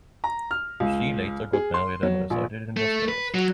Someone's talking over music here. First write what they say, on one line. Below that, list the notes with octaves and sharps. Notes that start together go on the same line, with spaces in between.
She later got married and resided in Las Vegas.
A#5
F6
C#2
G#4
C6
F#3
A#1
A3
B4
F#3